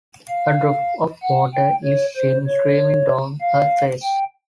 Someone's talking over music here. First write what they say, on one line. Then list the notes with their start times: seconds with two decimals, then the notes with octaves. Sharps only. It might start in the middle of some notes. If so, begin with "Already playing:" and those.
A drop of water is seen streaming down her face.
0.29 F5
1.22 F#5
1.54 G5
1.84 C#5
2.16 C5
2.46 C#5
3.41 F5
4.03 G5